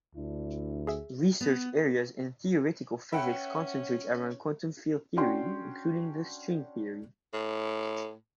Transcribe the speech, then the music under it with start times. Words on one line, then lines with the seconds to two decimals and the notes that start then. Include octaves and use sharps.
Research areas in theoretical physics concentrate around quantum field theory including the string theory.
0.15 D2 D4 E4
0.87 G#4 E5
1.41 B3
3.12 C#4 B4 E5 F#5 G5 B5
5.17 C#4 D4 F#4 G5 C6
7.33 A2